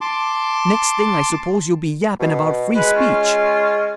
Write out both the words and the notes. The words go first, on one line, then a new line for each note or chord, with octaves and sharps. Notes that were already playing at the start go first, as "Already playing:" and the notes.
Next thing, I suppose you'll be yapping about free speech.
A5 C6 D6
B2
G#3 B4
C#4 F4